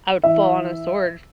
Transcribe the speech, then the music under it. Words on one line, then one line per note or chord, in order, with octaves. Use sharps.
I would fall on a sword f
E3 E5